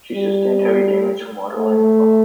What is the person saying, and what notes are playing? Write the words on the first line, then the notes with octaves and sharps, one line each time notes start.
She sustained heavy damage from waterline to funnel.
G3
A3